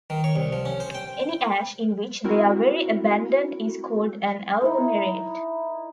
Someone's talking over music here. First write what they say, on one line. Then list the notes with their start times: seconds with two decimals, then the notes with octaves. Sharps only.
Any ash in which they are very abundant is called an agglomerate.
0.10 D#3
0.24 C#5
0.36 C2
0.53 F3
0.65 C#4
0.80 C5
0.95 G5
2.24 C4 E4 F#4 A#4
4.61 D#4 E4 A#4